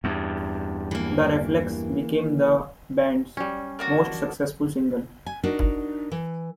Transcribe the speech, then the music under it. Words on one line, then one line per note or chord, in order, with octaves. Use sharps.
"The Reflex" became the band's most successful single.
E2 G2
E3 A#3
G3 C#4
A#3 D4 F#4
G#5
D4 D#4 F#4 A#4
E3